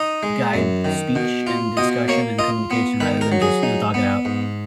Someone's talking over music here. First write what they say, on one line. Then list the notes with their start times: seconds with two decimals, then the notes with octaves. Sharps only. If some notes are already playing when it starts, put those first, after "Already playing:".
guide speech, and discussion, and communication rather than just, you know, talk it out
Already playing: D#4 D#5
0.23 G#3
0.54 F#2
0.85 D#3
1.16 B2
1.47 F4
1.77 B2 D#5
2.08 A#3 C#5
2.39 F4 D#5
2.71 B3
3.00 D#3 B4
3.21 A#4
3.32 F#3
3.42 G#4
3.63 D#4
3.94 B3
4.25 G#2